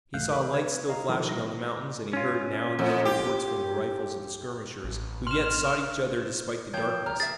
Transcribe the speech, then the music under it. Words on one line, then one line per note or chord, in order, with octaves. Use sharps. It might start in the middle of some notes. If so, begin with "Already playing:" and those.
He saw lights still flashing on the mountains, and he heard now and then reports from the rifles of the skirmishers, who yet sought each other despite the darkness.
A1 D2 A3 F5 F#6 G6
A4 A#4 B5
B4 G#6
D#5 F5 A#5
B2 D#3 F3 G3 E4 A4
A#6
C#4 F4
F2
G4
A1
C6 F6 E7
F3 E4 C#5 G5 G6
A#5 F6
G#4 E5 A6